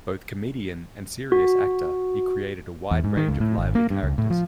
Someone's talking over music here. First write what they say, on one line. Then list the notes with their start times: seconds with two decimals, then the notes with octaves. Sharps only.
Both comedian and serious actor, he created a wide range of lively characters.
1.32 F#4
2.91 E2
3.04 G#2
3.17 D#3
3.28 C#2
3.40 A2
3.58 G#1
3.75 A#3
3.90 G2
4.03 C#2
4.18 A2
4.30 F3